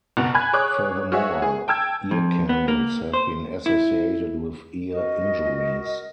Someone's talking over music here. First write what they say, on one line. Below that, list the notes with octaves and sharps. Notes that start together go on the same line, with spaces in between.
Furthermore, ear candles have been associated with ear injuries.
F#1 B2 F#5 F7
G#5 B5 F#6 G#6
G#4 C#5 D6 D#6 F#6
F#4 G#4 C#5 E5
G#4
G5 A5 E6 G#6
F2
B3
A#3
C5
E4
F#4 A#4 D#5